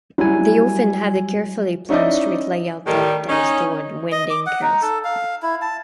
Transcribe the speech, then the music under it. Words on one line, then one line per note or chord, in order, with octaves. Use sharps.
They often have a carefully planned street layout that tends toward winding curves.
F#3 G3 E4 G#5
C#4 D#4 E4 D5 D#5
A2 D#3 G3
C#4 D#4
D#5
D6
F#5
D#4
A4
F5
E4
A5